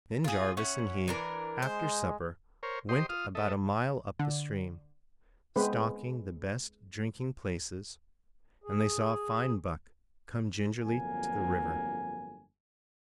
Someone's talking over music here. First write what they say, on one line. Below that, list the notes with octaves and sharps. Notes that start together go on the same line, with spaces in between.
Then Jarvis and he after supper went about a mile up the stream, stalking the best drinking places, and they saw a fine buck come gingerly to the river.
F4 G#4
C#4 E4 F#5
E3 D4 A#4
G#3 C5
A#4 C5 C#5
G4 C5 D#5 C6
F4 D#6 F6
A4 D#5 E5
D3
G#3 B3 C4 B4
G#4
G1 F2 D3 F#3 A#3 G#5